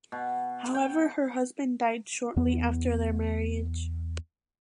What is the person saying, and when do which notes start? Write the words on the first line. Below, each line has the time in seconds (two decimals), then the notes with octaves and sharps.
However her husband died shortly after their marriage.
0.12 B2
0.74 G5
2.36 E2 B3